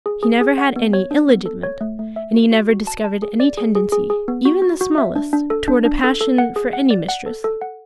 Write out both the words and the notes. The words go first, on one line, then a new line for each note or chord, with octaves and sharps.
He never had any illegitimate; and he never discovered any tendency, even the smallest, towards a passion for any mistress.
G#4
G#4
G#4
F#5
B3
C#5
D4
B3
A4
C#5
A3
A3
E5
F#4
F#4
F#4
A5
A5
G#4
D5
G#4
G#4
G#4
G#4
B3
F#4
F#4
F#4
E5
D4
D4
A4
D4
D4
A4
A4
F#5
G#4
F#5
D5
F#5
A4
A4
F#5